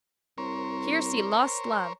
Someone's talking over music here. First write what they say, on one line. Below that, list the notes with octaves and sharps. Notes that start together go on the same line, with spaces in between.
Here see lost love.
C2 A#4 C5 C#5